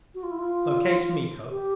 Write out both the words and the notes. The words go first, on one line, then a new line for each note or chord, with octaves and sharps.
Locate Miko.
F#4
F4
E4
F4
G4